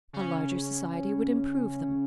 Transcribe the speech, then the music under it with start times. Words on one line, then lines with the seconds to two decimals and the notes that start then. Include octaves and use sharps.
A larger society would improve them.
0.13 C#3 C#4